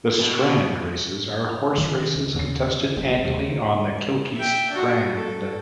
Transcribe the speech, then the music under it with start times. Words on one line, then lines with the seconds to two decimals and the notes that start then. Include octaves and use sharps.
The Strand Races are horse races contested annually on the Kilkee strand.
0.20 B2
1.78 D#3 C4 D4
2.15 C#2
2.35 D#2 C#3 C4
2.66 G2
2.96 F#1 C#2
3.24 D#2 G3 A3
4.35 E5 G5
4.71 D4 F#4
5.14 A4